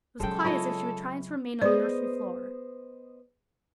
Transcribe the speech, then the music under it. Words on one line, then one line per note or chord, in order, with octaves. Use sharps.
It was quite as if she were trying to remain on the nursery floor.
C#3 F#3 G#3 A4 G5
E4 F4 C#5 D#5
B3 G#4 C5 D5 D#5